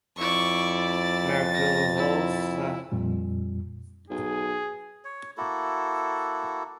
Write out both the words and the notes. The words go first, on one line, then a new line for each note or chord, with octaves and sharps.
Merkulovka is the nearest rural locality.
F2 E4 D5 C#6
A6
A#6
E4
F2 A#2 G3
B1 G#4
C#5
A#3 E4 F#4 A4